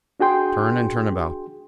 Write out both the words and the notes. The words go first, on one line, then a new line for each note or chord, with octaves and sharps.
Turn and turn about.
D4 F#4 G#4 G5 C6